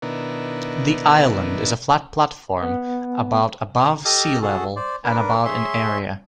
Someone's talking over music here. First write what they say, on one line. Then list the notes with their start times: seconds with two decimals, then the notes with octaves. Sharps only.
The island is a flat platform about above sea level and about in area.
0.02 B2 D#3 B3 D4 E4 A#4
2.62 B3
4.05 G4 A4 D#5 D#6 F6
4.42 F#4 G#4 A4
4.76 C5 D5
5.04 D4 A#4 B4
5.45 G#4 C#5 E5 C6